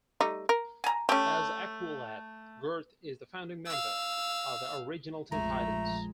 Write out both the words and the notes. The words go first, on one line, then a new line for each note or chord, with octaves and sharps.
As Aqualad, Garth is a founding member of the original Teen Titans.
G3 A3 D#4
A#4
G#5 A#5
A3 C#4 G4
F5 E6
A#1 F2 F3 G#3 A3 A#5